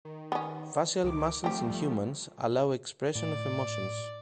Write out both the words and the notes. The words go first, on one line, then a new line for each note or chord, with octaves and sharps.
Facial muscles in humans allow expression of emotions.
D#3
B3 C#4
C#2 D#3 D6
F3 G3 A3 C4 G4
A2 D5